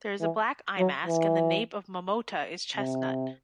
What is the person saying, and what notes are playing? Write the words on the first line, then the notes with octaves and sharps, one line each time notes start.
There is a black eyemask, and the nape of "momota" is chestnut.
E3
F#3
E3
C3